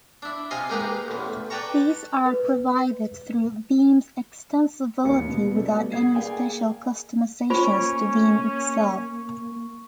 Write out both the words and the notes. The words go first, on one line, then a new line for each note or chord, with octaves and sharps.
These are provided through Vim's extensibility, without any special customizations to Vim itself.
D4 E4
C3 F4 D#5 G#5 C6
G#3 A#3 D#4 G4 A#4 B4
A1 E2
B4 D5 G5 A5 A#5 C#6
B4
A1 D#2 A#3 C#7
B2
B2 G3 A3 A4
F#5 D#6 G#6 C7
A#3 G#4 D5 F5 G5 G#5
A#3 C#4 F4 C5 B5 C#6 D7